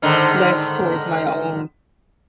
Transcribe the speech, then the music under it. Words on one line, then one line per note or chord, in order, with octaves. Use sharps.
less towards my own
G#2 D3 D#3